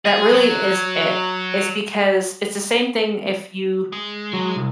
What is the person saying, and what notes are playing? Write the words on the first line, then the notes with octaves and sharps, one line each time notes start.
That really is it. It's because it's the same thing if you,
G#4
F#3
G#3
F#3
C2